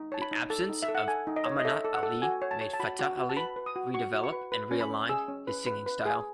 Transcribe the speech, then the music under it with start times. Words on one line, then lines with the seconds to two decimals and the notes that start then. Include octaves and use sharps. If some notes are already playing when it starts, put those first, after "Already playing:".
The absence of Amanat Ali made Fateh Ali redevelop and re-align his singing style.
Already playing: D#4
0.12 C#5 A5
0.22 B5
0.31 D#4
0.50 A4 A5
0.69 D#4
0.82 E5
0.88 A4
0.95 F#5
1.07 A4 G#5
1.27 D#4
1.36 D#5
1.46 C#5
1.59 D#5
1.65 A4 E5
1.85 A4
1.94 F#5
2.03 A4
2.22 F#4 G#5
2.42 C#5
2.51 A5
2.61 C#5
2.74 A5
2.79 F#4 B5
2.99 F#4
3.18 F#4
3.29 A5
3.37 B4 B5
3.56 B4
3.66 D#6
3.76 F#4
3.94 F#4 C#6
4.14 F#4
4.24 C#6
4.32 B4
4.52 B4
4.71 C#4
4.81 B5
4.90 C#4
5.09 G#4 E6
5.28 C#4
5.47 B4
5.66 B4
5.86 B4
6.05 G#4